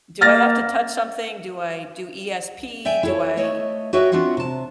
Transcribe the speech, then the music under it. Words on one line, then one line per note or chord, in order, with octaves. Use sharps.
"Do I have to touch something? Do I do ESP? Do I
A#3 F6 A6 A#6
D5 E5 G5 G#5
E4 A4 C#5
A3 C#5 D#5 E5
F#4 B4 C#5 D#5 E5 G5
C4 D4 F4 F#4 E5 F#5
C3 A5